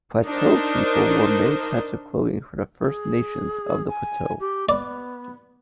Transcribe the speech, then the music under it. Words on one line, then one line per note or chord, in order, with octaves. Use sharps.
Plateau people wore many types of clothing for the First Nations of the Plateau.
D4 D#4 A#4 C5
G#4
G#5
G4
B3 D5